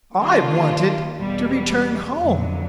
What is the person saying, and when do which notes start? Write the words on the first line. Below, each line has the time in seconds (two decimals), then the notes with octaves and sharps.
I wanted to return home.
0.18 D#3 G3 A#3 D4 F4
1.18 E2 B2 G3
2.17 F2 D3 F#3